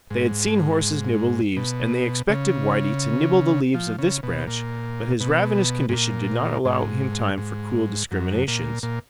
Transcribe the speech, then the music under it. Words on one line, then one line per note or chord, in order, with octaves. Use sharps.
They had seen horses nibble leaves, and they expected Whitey to nibble the leaves of this branch; but his ravenous condition did not allow him time for cool discriminations.
G#2
B2
C#3
F3
C#3
B2
A#2
B2
G#2
A#2
G#2
G#2
F#2
A#2
A#2